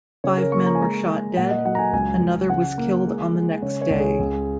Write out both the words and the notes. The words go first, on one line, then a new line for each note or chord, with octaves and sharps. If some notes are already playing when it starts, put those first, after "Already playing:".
Five men were shot dead; another was killed on the next day.
C#3 C#5
A#4
A#3 C#6
A#5
G#5
G#3 A#5
G#3
A#2 F#5
D#5
F#3 F#5
A#5
G#5
C#2 G#5
C#2
C#3 F#5
A#3
G#3
G#3
C#3 C#5
C#5
C#2
G#4
C#2